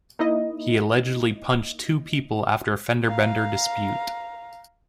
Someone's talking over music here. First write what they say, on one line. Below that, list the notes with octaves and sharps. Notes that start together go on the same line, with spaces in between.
He allegedly punched two people after a fender bender dispute.
A#3 D#4 E4 D#5
F5 A#5